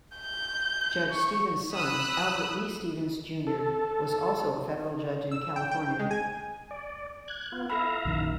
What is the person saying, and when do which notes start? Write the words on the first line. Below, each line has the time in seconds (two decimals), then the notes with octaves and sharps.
Judge Stephens' son, Albert Lee Stephens Junior was also a federal judge in California.
0.17 G6
1.11 C#6
1.73 B5 D#6 E6 F#6
3.47 A4
5.31 E6
5.56 G5
5.71 G5
5.99 G#3
6.11 G#5
6.71 D5
7.28 F#6 G#6
7.52 B3 F4
7.70 E4 A4 E5 F5 A#5 B5
8.05 A#1 F#2 D#3